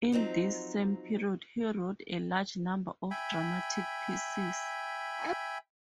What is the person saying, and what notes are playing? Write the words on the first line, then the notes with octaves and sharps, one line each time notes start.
In this same period he wrote a large number of dramatic pieces.
F3 F#3 C4 D#4
E5 G5 G#5 B5